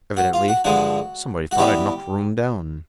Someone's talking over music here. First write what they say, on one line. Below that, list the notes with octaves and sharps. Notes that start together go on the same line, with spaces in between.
Evidently somebody thought I'd knocked Rooum down.
F#4
F4
F#4
G2 D3 F3 G#3 F#4
F#4
E3 G3 B3 G4